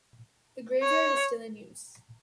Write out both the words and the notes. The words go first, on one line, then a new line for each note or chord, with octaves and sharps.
The graveyard is still in use.
C#5